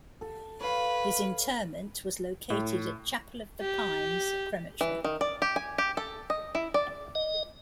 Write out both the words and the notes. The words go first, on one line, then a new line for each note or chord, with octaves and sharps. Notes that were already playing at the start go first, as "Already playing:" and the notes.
His interment was located at Chapel of the Pines Crematory.
A4
B4 C#5 F5
A2
G4
E3
D#3
D5
G4
G#5
G4
A4
D#5
E4
D5
D#5